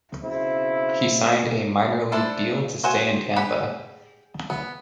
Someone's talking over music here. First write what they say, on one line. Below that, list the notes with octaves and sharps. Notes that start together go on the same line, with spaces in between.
He signed a minor league deal to stay in Tampa.
B1 C#3 C4 E4
D4 E4 A4 C5
F#4 C5 F#5 G#5
G4 G#4 F#5 B5
B3